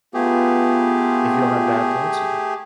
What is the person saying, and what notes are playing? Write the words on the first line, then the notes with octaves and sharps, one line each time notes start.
if you don't have bad parts of you.
A3 B3 F4 G4 G#4